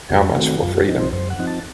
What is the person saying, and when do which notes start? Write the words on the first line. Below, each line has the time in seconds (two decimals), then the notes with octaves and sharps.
How Much for Freedom?
0.10 F2 F#4
0.35 D#3 A3 C4 F#4
0.61 F#2 F4
0.75 F#4
0.88 F3 C4 D#4
1.00 C5
1.13 F#2 C5
1.30 F#5
1.39 F3 C4 D#4
1.47 A5